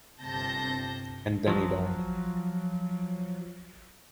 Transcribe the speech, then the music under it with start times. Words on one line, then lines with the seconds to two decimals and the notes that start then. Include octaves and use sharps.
And then he died.
0.22 G1 C3 A5 G6 A#6
1.48 F3 F#3